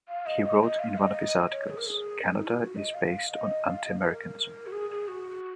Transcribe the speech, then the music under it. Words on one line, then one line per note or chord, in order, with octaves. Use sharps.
He wrote in one of his articles: Canada is based on anti-Americanism.
F5
D#5
D#5
D#5
F5
D#5
C#5
G#4
A#4
G#4
C#4
D#4
F4
F#4
D#5
F5
D#5
F5
D#5
A#4
F#4
G#4
G#4
F#4